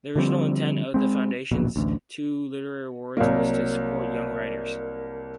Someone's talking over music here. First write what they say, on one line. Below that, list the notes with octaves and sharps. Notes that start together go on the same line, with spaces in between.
The original intent of the foundation's two literary awards was to support young writers.
D3 F3 G3 C4
G#3 C4
D1 A#1 B2
A1 D2
C2 F#3 A#3